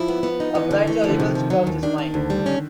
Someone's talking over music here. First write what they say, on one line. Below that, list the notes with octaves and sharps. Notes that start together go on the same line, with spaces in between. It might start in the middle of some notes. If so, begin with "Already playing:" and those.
A variety of evils crossed his mind.
Already playing: F3 E4
B3
B3
D#4
E3 B3
D3
E3 A3
D3 F3
C3 D#3
F3
F#3
D#2
D#3 D4
D4
D2 D3
G3
C#4